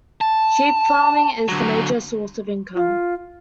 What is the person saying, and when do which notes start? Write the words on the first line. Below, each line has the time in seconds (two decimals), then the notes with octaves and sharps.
Sheep farming is the major source of income.
0.21 A5
1.48 D3 F#3
2.75 F4